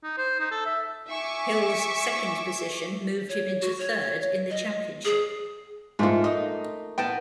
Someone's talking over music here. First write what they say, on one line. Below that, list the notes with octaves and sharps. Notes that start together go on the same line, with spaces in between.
Hill's second position moved him into third in the championship.
D#4
C5
D#4
A4
E5
E5 G#5 C#6 D6
C#5
F#4
C#5
D#5
G#4
G#2 A3 A#3 F4
D#4 D#5
B3 A#4 G5 A5